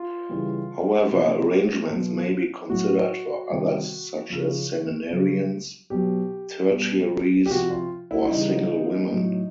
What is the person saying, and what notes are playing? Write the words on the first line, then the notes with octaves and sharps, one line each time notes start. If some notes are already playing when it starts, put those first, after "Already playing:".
However, arrangements may be considered for others such as seminarians, tertiaries, or single women.
Already playing: F4
C#3 E3 G3
C3 F3
B2 F#3
A2 F#3 F#4
C3 D#3 G3
C#3 F3
C#3 F#3
B2 F#3 G4
B2 G3
G4
C3 F3 F#4
F4
E4
E4
C#3 E3 G3 D#4
A2 F#3